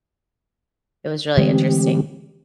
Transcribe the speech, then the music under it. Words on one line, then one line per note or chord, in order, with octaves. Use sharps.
it was really interesting.
D3 E3 G#3 A3 C4 G4